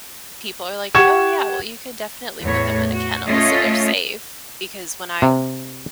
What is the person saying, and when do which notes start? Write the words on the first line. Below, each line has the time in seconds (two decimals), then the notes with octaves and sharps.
people are, like, "Oh yeah, well you could definitely put them in a kennel so they're safe," because when I,
0.95 G4 F#5 C#6 G#6 E7
2.43 E2 A2 C#5
2.92 F#4
3.26 A3 C#4 F4 C#5 D#5
5.22 C3